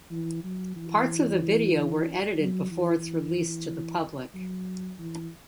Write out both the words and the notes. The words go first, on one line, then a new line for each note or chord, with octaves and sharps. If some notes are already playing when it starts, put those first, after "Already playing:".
Parts of the video were edited before its release to the public.
E3
F#3
E3
F#3
E3
F#3
E3